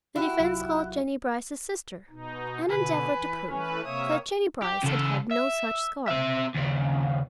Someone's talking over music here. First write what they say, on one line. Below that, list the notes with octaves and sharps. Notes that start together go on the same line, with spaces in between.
The defense called Jennie Brice's sister, and endeavored to prove that Jennie Brice had had no such scar.
E4 F#4 G4 F#6
C2 F#3 F4
B2 D#4
B2 D3 B4 G#5
E3
E3 A3 C#4 B4
C3 A#3 C#5 E5 D#6
G4
C#3 A4
E5
C4 E5
D#2 C#3